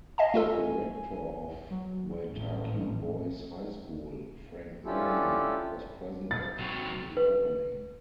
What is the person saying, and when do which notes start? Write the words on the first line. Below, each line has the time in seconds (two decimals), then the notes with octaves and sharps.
The Rector of Waitaki Boys' High School, Frank Milner, was present at the opening.
0.18 D#5 F5 G#5 A5
0.34 A3 F4 A4
1.71 F#3
2.30 A1
4.85 C#4 D4 E4 F4 G4 A4
6.31 A6
6.58 C3 F#3
7.17 B4